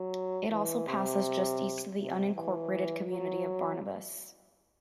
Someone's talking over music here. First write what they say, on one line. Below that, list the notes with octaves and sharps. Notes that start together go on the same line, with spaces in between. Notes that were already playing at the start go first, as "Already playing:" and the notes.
It also passes just east of the unincorporated community of Barnabus.
Already playing: F#3
E3
C3
C3
E3
F#3